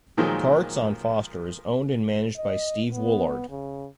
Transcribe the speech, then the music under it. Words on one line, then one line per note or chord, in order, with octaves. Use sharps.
Carts on Foster is owned and managed by Steve Woolard.
A#2 D#3 F3 F#3 G#3
D#5
B3
C#3